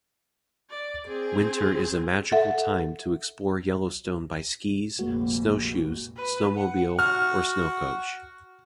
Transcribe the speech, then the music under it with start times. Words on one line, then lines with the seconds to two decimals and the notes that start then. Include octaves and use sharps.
Winter is a magical time to explore Yellowstone by skis, snowshoes, snowmobile, or snowcoach.
0.70 D5
1.07 C4 G#4
2.32 A4 E5 F#5
4.99 F1 A#1 G#3 A#3 F#4
6.16 B4
6.56 F#5
6.99 F#4 F6